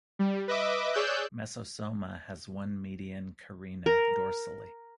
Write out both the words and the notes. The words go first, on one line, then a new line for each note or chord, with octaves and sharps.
Mesosoma has one median carina dorsally.
G3
B4 D#5 E5 D6
G#4 C#5 D5 E6 F#6 G6
A#4